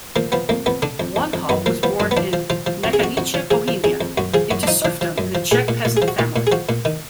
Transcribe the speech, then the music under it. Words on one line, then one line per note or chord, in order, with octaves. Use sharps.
Wanhal was born in Nechanice, Bohemia, into serfdom in a Czech peasant family.
F3 A#3
F3 B3
F2 A#3
F2 B3
D3 D4
F2
F2
F2
F#2 B3
F3 A#3
F3 B3
F#2 D4
B3
F3 D4
F3
F3 F4
F3
F2 F#4
G#4
F2 F#4
F2 F#4
F3
F3 G#4
F3
F2 G#4
F2
F#2 F#4
F3 G#4
F#2 F#4
D4
F3 D#4
F3 D4
F3
F#2
F3
A#2 G#4
A#2
A#2
G#4
F3
F#4
A#2 F4
A#2
G#4
F3 F#4
A#2
D#3